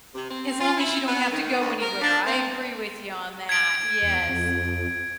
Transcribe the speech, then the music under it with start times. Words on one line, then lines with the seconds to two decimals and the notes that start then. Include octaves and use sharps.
As long as you don't have to go anywhere, I agree with you on that, yes.
0.15 C3
0.30 C4
0.60 F4
0.77 E4
1.07 B3
1.30 D#3
1.60 D2
1.80 A#4
2.01 D4
2.25 C4
3.49 G#6 D7
4.02 E2
4.28 F2